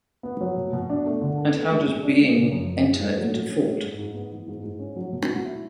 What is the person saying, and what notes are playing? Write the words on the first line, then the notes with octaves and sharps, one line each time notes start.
And how does being enter into thought?
B3
F#3
B2
B2
D4
A3
D3
A4
B3
G#3
B2
D4
G#3
C#3
F#2
F#2
E4
A3
F#3
F#3
C#4
G#3
G#2
G#2
B3
E3
G#2
G#2
C#4
F#3
B2
F#4
E4